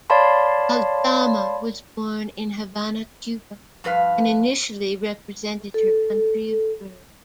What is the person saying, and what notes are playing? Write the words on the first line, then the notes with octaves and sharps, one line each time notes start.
Aldama was born in Havana, Cuba, and initially represented her country of birth.
C#5 D5 F5 A5 B5 C6
G2 F3 B4 F5
A4